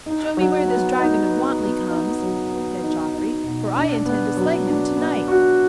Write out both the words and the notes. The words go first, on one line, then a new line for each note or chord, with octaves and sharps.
"Show me where this Dragon of Wantley comes," said Geoffrey, "for I intend to slay him to-night."
D#4
F#3
B3
D#4
B3
B3
D#4
F#3
B3
D#4
D#4
B2
D4
B3
F#3
D4
B3
F#4